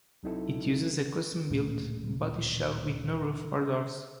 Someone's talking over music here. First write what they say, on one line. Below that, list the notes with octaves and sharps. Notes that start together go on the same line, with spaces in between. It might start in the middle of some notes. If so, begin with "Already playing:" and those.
It uses a custom built bodyshell with no roof or doors.
C2 F#3 C4 D#4 E4 A4
D1 A#2 A3 C#4